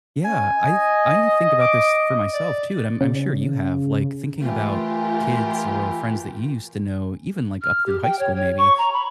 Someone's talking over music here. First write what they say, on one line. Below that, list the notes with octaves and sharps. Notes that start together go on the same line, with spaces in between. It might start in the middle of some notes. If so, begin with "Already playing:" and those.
Yeah. I th I think about this for myself too, and I'm I'm sure you have, like, thinking about kids or friends that you used to know, even, like, up through high school maybe,
C#4 G#5
D#5
D6
D5
C#3
E3 A3 F4 G4 A#4
F6
G4
G5
C#5
C#5
C#6
A#5
B5